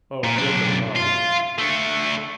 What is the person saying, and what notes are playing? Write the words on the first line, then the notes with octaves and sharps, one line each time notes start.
O Jacob Marley!
A#2
B1 D4
F4
A3 D4